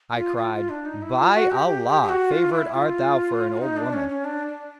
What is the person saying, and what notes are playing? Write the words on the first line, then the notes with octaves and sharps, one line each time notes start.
I cried, 'By Allah, favoured art thou for an old woman!
F4
F4
F4
D4
D#4
E4
F4
F#4
G4
G4
G4
G4
F#4
F4
E4
F4
D#4
D4
C#4
C#4
D4
D4